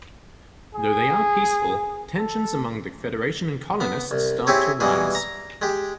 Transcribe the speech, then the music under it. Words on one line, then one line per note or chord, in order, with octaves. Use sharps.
Though they are peaceful, tensions among the Federation and colonists start to rise.
G#4
A4
B3
C2
C4 E4 G4 G#4 C#5
B2 E3 G3 G#3 G#4
A#5
G#3 G4